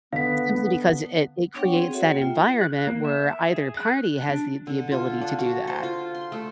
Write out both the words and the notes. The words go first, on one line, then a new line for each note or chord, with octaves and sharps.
Simply because it it creates that environment where either party has the the ability to do that,
D3 B3 F5 B6
B3 D4 C#5 F#5 G5 C#6
C4 G#4
F#4 A4 C#5 E5 F#5
A#3 G5
F4 E5
F#6
A#3
E5
G#4
F#6
D4
D3
F4
D4
F#4
C5
F4
C6
A3